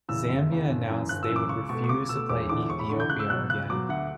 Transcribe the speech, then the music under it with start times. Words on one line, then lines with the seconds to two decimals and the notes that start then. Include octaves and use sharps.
Zambia announced they would refuse to play Ethiopia again.
0.09 E2 C#3 E6
0.29 F#1
0.49 E2 C#3
0.69 G1
0.89 F#2 E3
1.09 G1 F#6
1.23 E6
1.29 F#2 E3
1.36 D6
1.49 C#2 C#6
1.69 B2 A3 C#6
1.84 C#6
1.89 C#2 D6
2.09 B2 A3 E6
2.29 E1 D6
2.49 E2 D3 D6
2.70 E1 C#6
2.79 B5
2.89 E2 D3 C#6
3.00 G6
3.10 C#2 F#6
3.20 E6
3.30 B2 F#3 F#6
3.50 C#2 F#6
3.70 B2 F#3 D6
3.89 D2 F#5